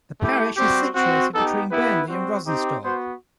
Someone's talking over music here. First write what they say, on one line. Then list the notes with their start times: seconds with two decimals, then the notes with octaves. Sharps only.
The parish is situated between Burnley and Rawtenstall.
0.19 A3 E4 G4
0.57 G3 C4 F#4 G4
0.95 C4 F#4
1.32 B3 D#4 G4 A4
1.70 B3 E4 G4 B4
2.08 G3 C4 F#4
2.45 C4 D#4 G4
2.82 B3 F#4 C5